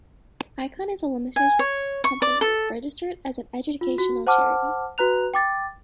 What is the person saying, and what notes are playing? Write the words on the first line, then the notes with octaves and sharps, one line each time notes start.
Ikon is a limited company, registered as an educational charity.
G#5
C#5
C#6
D5
A4
F4
F#4
C5 F#5 A5 D6 F6
F#4 B4 A#5 F#6 F7
G5 D6 A6